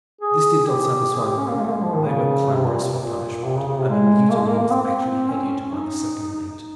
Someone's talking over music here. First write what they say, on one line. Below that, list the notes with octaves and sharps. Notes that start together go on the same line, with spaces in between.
This did not satisfy the crew; they were clamorous for punishment, and a mutiny was actually headed by the second mate.
G#4
G4
G#4
G4
C#4
A#3
G#3
A#3
G#3
F3
D#3
C#3
C3
A#2
C3
C3
A#2
C3
C#3
C#3
C3
G#3
A#3
G#3
A#3
A#3
C4
C4
C#4
C#4
C#4
D#4